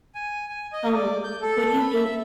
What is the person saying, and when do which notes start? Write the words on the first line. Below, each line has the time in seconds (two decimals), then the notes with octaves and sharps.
Um, what do you think,
0.15 G#5
0.49 G#5
0.73 D#5
0.95 D5
1.24 G6
1.41 A4
1.79 B5
1.95 E5